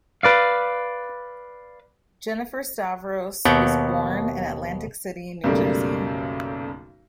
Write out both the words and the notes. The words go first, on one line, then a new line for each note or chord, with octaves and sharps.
Jennifer Stavros was born in Atlantic City, New Jersey.
B4 D5 F5
D#2 B2 B3 C4 F#5 G5
B1 F#2 C#3 G3 A3 A#3